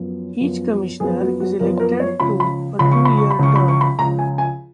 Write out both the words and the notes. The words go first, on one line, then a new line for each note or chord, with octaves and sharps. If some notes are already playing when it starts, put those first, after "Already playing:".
Each Commissioner is elected to a two-year term.
Already playing: F#2 F3 B3
F#2 F3 B3
F#2 F3 B3 G#4
F#4
F#4
F#2 F3 B3 A#4
A#4
C#5
C#2 C#3 F3 B5
B5
C#2 C#3 F3 B5
C#6
B5
C#6
B5
C#2 C#3 F3 C#6
B5
C#6
B5
C#2 C#3 F3 A#5
G#5
G#5